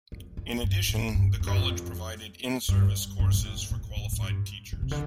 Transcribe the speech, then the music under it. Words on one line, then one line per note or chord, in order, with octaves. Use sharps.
In addition the college provided in-service courses for qualified teachers.
F2
F2
G2
A2
G2
F2
G2
F2
G2
G2
A#2
A2
A#2
A2
A2
G2
D3
C3
D3